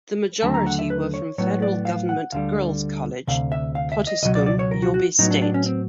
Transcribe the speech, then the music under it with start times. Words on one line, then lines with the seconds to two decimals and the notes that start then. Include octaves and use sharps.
The majority were from Federal Government Girls' College, Potiskum, Yobe State.
0.42 D#2 D3 F#3 A3 A5
0.54 A#5
0.67 F#5
0.79 E5
0.90 B4
1.14 C#5
1.38 A2 F#3 B3 C#5
1.62 D5
1.85 F5
2.09 F#5
2.32 D2 D3 G3 F5
3.27 D2 C3 F5
3.52 E5
3.75 F5
3.92 E5
4.07 D#5
4.23 C#2 B2 F#3 D#5
4.35 D5
4.46 D5
4.59 C#5
4.71 A#4
4.82 F#4
4.94 F#4
5.19 A2 F#3 B3 D#4
5.31 D4
5.42 D4
5.54 C#4
5.66 C4